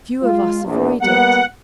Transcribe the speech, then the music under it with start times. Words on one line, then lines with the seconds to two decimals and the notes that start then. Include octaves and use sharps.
Few of us avoid it.
0.23 G#3 F4
0.65 A#1 E2
1.02 G3 A#3 B3 F#5